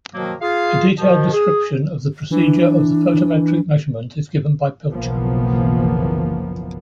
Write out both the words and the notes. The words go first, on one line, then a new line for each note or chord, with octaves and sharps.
A detailed description of the procedure of the photometric measurement is given by Pilcher.
B2 D#3 F3 F#3 A#3
F4 G#4 F5
B2 D#3 F3
G#4
E3 D4
F#1 B1 E3 F3 A#3 B3